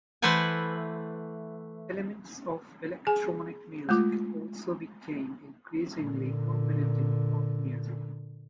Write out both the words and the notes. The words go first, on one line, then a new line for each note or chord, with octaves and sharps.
Elements of electronic music also became increasingly prominent in pop music.
E3 A3 B4 C5 F#5 G#5
G#4 G#5
G#3 A3 F4 D6
A#2 D3